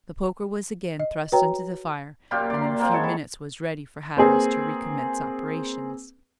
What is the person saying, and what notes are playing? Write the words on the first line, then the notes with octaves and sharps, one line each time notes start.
The poker was again thrust into the fire, and in a few minutes was ready for Hatteras to recommence operations.
D#5
F#4 B4 C#5 G5 A#5
F#2 A#2 F4 G4
D5 C6
A#5
A#3 C4 F4
F#3 G#3 A4 C#5
E4
A#3 C4 G#4 B4